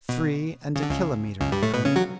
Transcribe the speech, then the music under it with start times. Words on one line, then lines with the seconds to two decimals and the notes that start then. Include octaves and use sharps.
"Three and a kilometre, colonel."
0.09 B2
0.76 C#3
0.83 D3
0.90 C#2 C#3
1.41 C#2 C#3
1.52 G2 G3
1.62 A2 A3
1.74 B2 B3
1.85 C#3 C#4
1.96 F#3 F#4